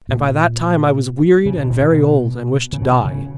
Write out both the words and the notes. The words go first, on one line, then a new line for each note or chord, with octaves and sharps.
And by that time I was wearied and very old, and wished to die.
A#2
C#3
B2
A#2
B2
C#3
B2
C#3